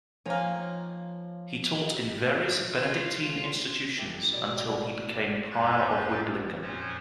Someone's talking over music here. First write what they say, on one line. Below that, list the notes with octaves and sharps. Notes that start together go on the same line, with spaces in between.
He taught in various Benedictine institutions until he became prior of Wiblingen.
D#3 F3 A#3 C#5 G#5
F4
E4 G4 A4 B4
B2 F#3 G3
F#3 G3
D4
F#2 A2 C#4 B4 G6 A6
F2 A#2 F3 C#4 C5 C#5